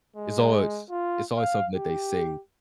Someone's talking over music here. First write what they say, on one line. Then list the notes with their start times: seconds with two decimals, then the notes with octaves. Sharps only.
it's always it's always something that they say,
0.16 G#3
0.90 F4
1.37 F5
1.75 G4